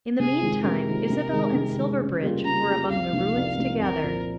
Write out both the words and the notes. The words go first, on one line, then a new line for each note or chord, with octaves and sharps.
In the meantime Isabel and Silverbridge were among the ruins together.
C3 G#4
D#3 G#3 C4 F4
C3 A#4
D#3 G#3 C4 F4
C3
D#3 G#3
C3
D#3 G#3
C#3
G3 A#3 F4 G#4
C#3 A#5
G3 A#3 F4 G#4
C2 F5
C3 F3 A#3 D#4
C2
C3 F3 A#3 D#4
C2 A#4
A#2 F3 C4